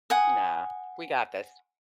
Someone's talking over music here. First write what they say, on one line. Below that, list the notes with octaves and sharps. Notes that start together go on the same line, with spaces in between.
Nah, we got this.
F#5 G#5 D#6